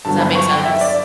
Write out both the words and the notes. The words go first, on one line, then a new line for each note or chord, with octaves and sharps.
Does that make sense?
G2 D3 F#3 B3 A5
B5
C#6
G5
E5
D5